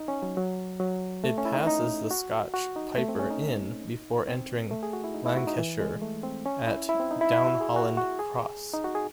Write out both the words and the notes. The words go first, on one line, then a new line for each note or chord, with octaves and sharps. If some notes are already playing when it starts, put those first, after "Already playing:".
It passes the Scotch Piper Inn before entering Lancashire at Downholland Cross.
Already playing: D#4
C#4
F#3
F#3
F#3
A3
C#4
E4
D#4
D#4
F#4
F#4
D#4
A3
C4
C#4
D#4
C4
A3
G#4
F#4
E4
D#4
E4
F#4
D#4
E3
G#3
A3
C4
C#4
E4
E4
C4
D#4
E4
E4
F#4
G#4
F#4
F#4
G#4
D#4
F#4
G#4